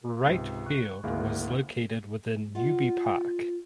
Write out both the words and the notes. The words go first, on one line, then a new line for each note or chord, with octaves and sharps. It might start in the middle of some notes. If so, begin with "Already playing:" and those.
Wright Field was located within Newby Park.
C#2 G#2 C3
C#6 F#6
G#1 D2 G#3 A#3 E4 F5
F4 D#5 F#5